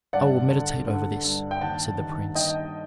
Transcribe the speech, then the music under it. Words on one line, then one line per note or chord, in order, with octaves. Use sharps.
"I will meditate over this," said the prince.
G2 D5 F#5
D3
D3
G2
G5
D#2 F#5 A5
D#3
D#3 D#5 G5